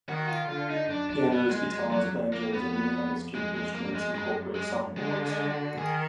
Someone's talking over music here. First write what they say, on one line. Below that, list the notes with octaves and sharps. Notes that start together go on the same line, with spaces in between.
Pianos, guitars, banjos, and many other stringed instruments incorporate soundboards.
D#3 F#4
F4
D3 F4
D#4
F#2 D4
D4
B3
G#3
F2 G#3
F#3
A#3
F2 B3
F2 G#3
G#3
A#3
G#3
F#2 G#3
G#3
D3 G#3
G#3
F#4
D#3 G#4